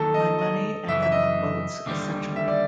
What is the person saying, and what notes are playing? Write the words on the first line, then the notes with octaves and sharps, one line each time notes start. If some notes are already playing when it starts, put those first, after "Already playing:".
By money and ethnic votes, essentially.
Already playing: D#2 D#3 F#3 A4
D#5
D#5
F#2 C#3 E3 E5
E5
D#5
D#2 D3 G3
E5
D5